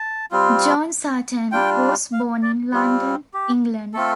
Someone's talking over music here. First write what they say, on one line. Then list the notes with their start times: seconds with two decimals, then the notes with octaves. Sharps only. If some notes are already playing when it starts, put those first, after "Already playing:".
John Sartain was born in London, England.
Already playing: A5
0.31 G3 C4 F4
1.52 G3 D4 F4 G5
2.13 F5
2.43 D5
2.73 G3 C4 F4
3.34 G4
3.94 A3 C4 F4 A4